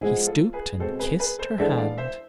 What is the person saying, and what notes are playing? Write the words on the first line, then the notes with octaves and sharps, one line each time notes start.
He stooped and kissed her hand.
F3 G#3 B3 E4 G#4
F4 A4
G#4 B4
B2 G#3 C4 A4 C5
G#4 B4
G#4 B4
A4 C5
E3 G#3 B3 D4 A4 C5 E5
D5 F5
C5 E5